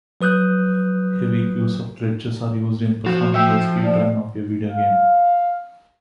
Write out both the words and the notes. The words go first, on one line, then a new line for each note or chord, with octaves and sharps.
Heavy use of glitches are used in performing a speedrun of a video game.
F#3 B4 D#6 F#6 G6
F3 F#4
F3 E5 G5
D5
F5